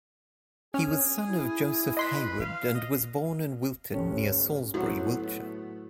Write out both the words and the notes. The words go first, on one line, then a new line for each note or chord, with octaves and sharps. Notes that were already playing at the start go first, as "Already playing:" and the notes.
He was son of Joseph Hayward, and was born in Wilton, near Salisbury, Wiltshire.
C#4 G#4 F6
E4
B4 D#5 C6 B6
F5
D#5
G#1 D2 C#4 G4 A4
A2 F#3 A3 B3 F#4 C5